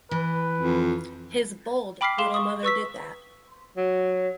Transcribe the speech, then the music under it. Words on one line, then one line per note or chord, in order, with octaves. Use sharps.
His bold little mother did that.
E3 B4
F2
G5 B5 D6 F6 B6 C7
G#4 F5 C6 E7
C#6 D#6
B4 C#6 E6 B6
F#3